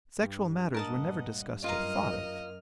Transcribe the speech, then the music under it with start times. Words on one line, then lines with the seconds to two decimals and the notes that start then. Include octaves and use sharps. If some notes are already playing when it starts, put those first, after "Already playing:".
Sexual matters were never discussed or thought of.
0.20 G2
0.74 A#2 A#4 D#5 F#5 A5 D#6
1.64 F#2 A#3 F4 D#5 F5 A#5 F6